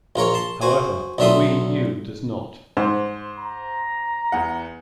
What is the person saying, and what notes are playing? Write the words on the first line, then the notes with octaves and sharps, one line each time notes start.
However, the Wii U does not.
A#1 F4 A#4 C#5
A5 C6
F#4 C5 G#5
B1 D3 D4 E5 C6 D#6
G#2 C5
A#5
E2 F#5